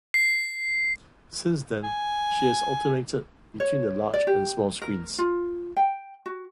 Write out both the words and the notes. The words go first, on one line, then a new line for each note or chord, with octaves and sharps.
Since then, she has alternated between the large and small screens.
C7
G#5
C#5
D5
G4
A#4
F4
G5
F#4